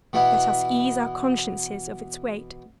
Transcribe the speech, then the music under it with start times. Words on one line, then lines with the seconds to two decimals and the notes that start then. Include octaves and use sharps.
Let us ease our consciences of its weight.
0.13 B2 E3 B3 E4